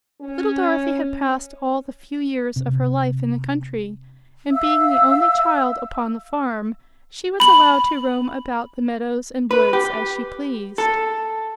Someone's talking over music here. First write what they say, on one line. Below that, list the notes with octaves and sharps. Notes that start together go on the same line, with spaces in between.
Little Dorothy had passed all the few years of her life in the country, and being the only child upon the farm she was allowed to roam about the meadows and woods as she pleased.
C#4
C3
E5 F5 E6
B5 F#7
B4
G4
A4